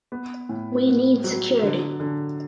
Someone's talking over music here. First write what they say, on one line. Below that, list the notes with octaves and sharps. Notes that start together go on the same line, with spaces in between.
We need security.
B3
A2
B3
F#3
D3
D3